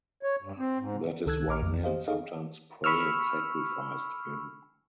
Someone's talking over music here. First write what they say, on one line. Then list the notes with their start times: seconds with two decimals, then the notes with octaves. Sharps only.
That is why men sometimes pray and sacrifice to him.
0.23 C#5
0.42 G2
0.58 C4
0.79 G#2
1.26 C#2 D#3 A4 E6 F#6 G#6
1.48 A#1 A#5 D6 F6
1.62 F2
1.84 G4 C5 D#5 F5
2.08 D#4 G#4 A4 D#5 F5
2.84 B5 C#6 E6 F6